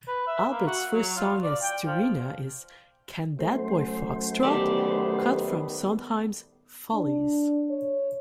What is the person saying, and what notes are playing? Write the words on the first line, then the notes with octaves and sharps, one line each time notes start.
Albert's first song as "Starina" is "Can That Boy Foxtrot", cut from Sondheim's "Follies".
B4
E5
A#3
F#4
F#3
F4
D5
G5
F3
F#2 A3 C5
D#3 G3 B3 G4 A4 D5
D4
C#5